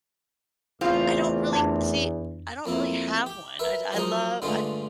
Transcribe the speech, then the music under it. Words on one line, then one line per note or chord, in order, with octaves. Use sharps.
I don't really see, I don't really have one. I I love I I I
E2 C#3 A3 C4 F4 G4 A#4
F2 D4
F2 A#3 E4
G4
A#4 B4 E5
F3 F#3 D#4 A#4
G2 D3 G#3 A3 F4